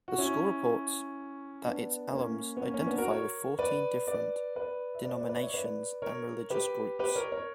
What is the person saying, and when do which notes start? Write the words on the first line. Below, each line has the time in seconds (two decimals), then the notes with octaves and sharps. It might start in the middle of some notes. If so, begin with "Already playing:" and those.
The school reports that its alums identify with fourteen different "denominations and religious groups".
0.08 F#4
0.18 C#4 E4
1.64 B3 D4
2.13 A#3 C#4
2.57 B3
2.62 A#3 C#4
2.74 A#3 C#4
2.86 B3 D4
2.98 F#4 A#4
3.10 A#4 C#5
3.59 B4 D5
4.07 B4 D5
4.56 B4 D5
4.95 E5
5.05 B4 D5
5.17 B4 D5
5.29 B4 D5
5.41 C#5 E5
5.54 B4 D5
6.02 A#4 C#5
6.50 G4 B4
6.99 G4 B4
7.15 A#4 C#5
7.32 A#4 C#5